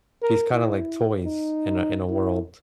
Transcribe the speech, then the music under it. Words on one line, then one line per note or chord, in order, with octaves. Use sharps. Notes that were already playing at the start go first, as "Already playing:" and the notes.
these kinda, like, toys in a in a world,
A#4
E4
D#4
E4